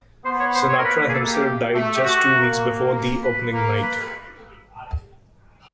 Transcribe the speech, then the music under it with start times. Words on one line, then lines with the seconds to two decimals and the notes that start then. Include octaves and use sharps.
Sinatra himself died just two weeks before the opening night.
0.25 B3 C5
0.40 C#5
0.55 C5
0.69 C#5
0.78 A#4
0.85 A#3 B4
1.09 G#4
1.14 A4
1.29 G4
1.74 A3
1.95 G4
2.04 A3 F#4
2.34 A#3
3.23 B4
3.53 A#3
3.83 B4